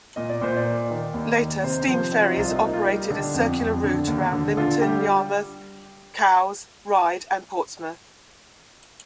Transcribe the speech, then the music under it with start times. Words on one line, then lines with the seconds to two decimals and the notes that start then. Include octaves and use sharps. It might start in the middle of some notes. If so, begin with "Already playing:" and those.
Later, steam ferries operated a circular route around Lymington, Yarmouth, Cowes, Ryde and Portsmouth.
0.16 A#2 D#5
0.29 D5
0.41 A#2 C5
0.57 D5
0.65 A#3
0.90 D#3
1.14 D#2
1.39 D#3
1.63 C3 C5
1.87 F3 C5
2.12 C4 D#4
2.21 F4
2.30 D#4
2.36 C2 F4
2.48 D#4
2.56 F4
2.61 A#3 D#4
2.73 F4
2.82 G3 D#4
3.10 D3 D4
3.34 F2
3.60 F2
3.84 D3
4.08 D#2
4.33 D3
4.57 D3 F4
4.81 G3 G4